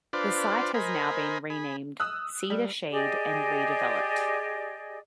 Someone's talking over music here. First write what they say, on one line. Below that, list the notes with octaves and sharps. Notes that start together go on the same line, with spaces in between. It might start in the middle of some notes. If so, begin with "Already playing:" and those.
The site has now been renamed Cedar Shade and redeveloped.
D4 F4 B4 C5 D5
A#4 C5 D#5 G#5 B5
G#4 B5
D#6 E6 F#6
G3
G4 G#4 D5 D#5